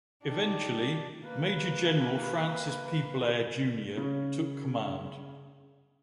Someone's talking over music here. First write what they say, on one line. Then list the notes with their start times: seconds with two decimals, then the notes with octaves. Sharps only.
Eventually Major General Francis P. Blair, Junior took command.
0.24 D4 D#4 G4
1.24 A#3 B4
3.97 C#3 C#4